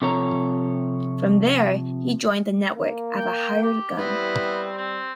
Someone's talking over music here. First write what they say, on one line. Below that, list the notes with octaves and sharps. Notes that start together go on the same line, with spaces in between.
From there, he joined The Network as a "hired gun".
C3 F3 A4 C#5 A#5
A#3
G5
G4
G3 B3 C4 E4
C4